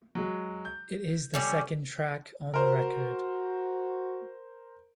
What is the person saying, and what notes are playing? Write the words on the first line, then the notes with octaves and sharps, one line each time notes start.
It is the second track on the record.
F#3 G#3
G6
D3 G3 C#4
F#4 A#4 C5